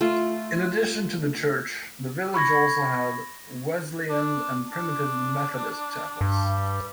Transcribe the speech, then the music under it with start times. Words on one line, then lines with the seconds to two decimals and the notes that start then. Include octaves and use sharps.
In addition to the church the village also had Wesleyan and Primitive Methodist chapels.
0.01 A3 F4
2.34 B5 C#6 G#6 A#6
4.09 D4
4.70 D4
6.21 G2 G3